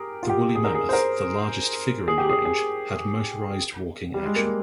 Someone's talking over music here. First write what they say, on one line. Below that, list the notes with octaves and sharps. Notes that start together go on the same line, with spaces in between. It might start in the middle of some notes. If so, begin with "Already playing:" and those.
The Woolly Mammoth, the largest figure in the range, had motorized walking action.
Already playing: G4 G#4 A#4
F4
G4
G#4
A#4
G#4
C5
A#4
G#4
G4
G#4
G#4
G3
G#3
A#3